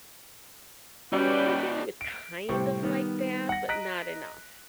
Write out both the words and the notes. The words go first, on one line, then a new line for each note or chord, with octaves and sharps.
My family was kind of like that, but not enough.
G3 C#4 D#4 F#4 B4 D5 G5
D7
A2 C3 G3 C5 G5 C#6
D#3 G3 B3
F#5 A#6
D#5 A#5 F#6 A#6 B6 D7